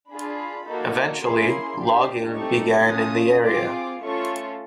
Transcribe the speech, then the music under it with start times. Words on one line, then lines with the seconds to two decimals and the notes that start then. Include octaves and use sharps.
Eventually, logging began in the area.
0.10 D4 F4 G#4 B5
0.66 A#3 D#4 F#4 A4
1.22 A#3 C#4 E4 G#4 C6
1.77 D4 G4
2.33 A3 C4 D#4 G4 C#6
2.89 A3 C#4 F4 D#6
3.45 C4 F4 G#4 D6
4.01 A3 C#4 F4 A4 C#6